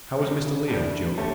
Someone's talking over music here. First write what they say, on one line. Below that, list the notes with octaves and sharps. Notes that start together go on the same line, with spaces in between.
"How is Mr. Leo, Job?"
E2 C#3 G3
A2 G3 D4
D3 A3 C#4 G4